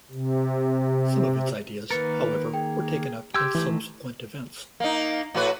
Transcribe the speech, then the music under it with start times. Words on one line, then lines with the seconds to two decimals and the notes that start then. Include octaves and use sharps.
Some of its ideas, however, were taken up in subsequent events.
0.11 C3
1.90 D#3 A#3 A#4 B4 A6 C#7
2.54 G#4 G5
3.34 G4 G5 C6 E6 G6 G#6
3.55 D#3 E3 A3
4.80 A#3 D#4
5.34 A2 F#4 B4